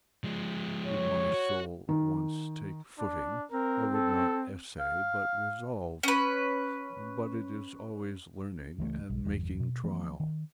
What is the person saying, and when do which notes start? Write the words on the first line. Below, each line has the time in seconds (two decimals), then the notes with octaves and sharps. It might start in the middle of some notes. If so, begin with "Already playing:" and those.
Could my soul once take footing, I would not essay but resolve: but it is always learning and making trial.
0.24 F3 G#3
0.87 C#5
1.34 F#4
1.89 D#3
2.98 D4
3.51 C4 A#4
3.94 A4
4.80 F5
6.03 C#4 B4
8.78 C#2 E3 F3 A3
9.10 B1
9.25 G1 E2 G3
9.60 B2
9.84 E3 F3 A3 B3
10.20 D#3